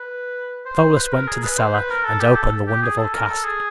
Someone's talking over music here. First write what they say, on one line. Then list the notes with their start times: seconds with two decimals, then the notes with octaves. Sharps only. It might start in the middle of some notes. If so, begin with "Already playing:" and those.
Pholus went to the cellar and opened the wonderful cask.
Already playing: B4
0.66 C5
0.97 B4
1.13 A#4
1.28 G#4
1.43 B4
1.59 C5
1.75 B4
1.90 A#4
2.05 A4
2.20 G4
2.36 A4
2.67 G4
2.82 G#4
2.99 A4
3.14 A#4
3.29 A4
3.44 G#4